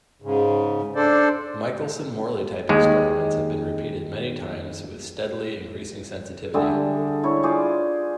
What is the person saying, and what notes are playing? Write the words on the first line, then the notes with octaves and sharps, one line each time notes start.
Michelson-Morley type experiments have been repeated many times with steadily increasing sensitivity.
G#2 C#3
D4 A4 C5 D5
D#2 G#3
D3 G3 G#4 E5
E4 C#5
F4 G#4 C5 D5